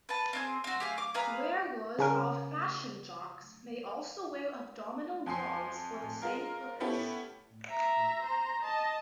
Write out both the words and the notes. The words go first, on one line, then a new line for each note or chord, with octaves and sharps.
Wearers of fashion jocks may also wear abdominal guards for the same purpose.
B4 A5
C4 D4 G#4
C4 F#4
G4 G#4 F5
D6
G#4 B4 F5 A#5
C#3 C#4 A#4
F2 G#5 C6 C7
G#3 F4 A#4
B3 C#4 E4 G4 A4
E5 A#5
C5 A#5
D#5 A5